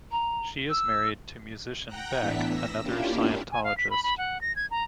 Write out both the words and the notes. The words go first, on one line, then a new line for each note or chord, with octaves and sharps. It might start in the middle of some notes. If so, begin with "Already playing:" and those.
She is married to musician Beck, another Scientologist.
A#5
E6
F#5 G5 A#5 F#6
A2 E3 B3 D4 E5 B6
E6 A#6
A#3 C#4 D4 E4 F4 G4
G#5
F5
B6
B5
B5
F#5
A#6
G#6
A#5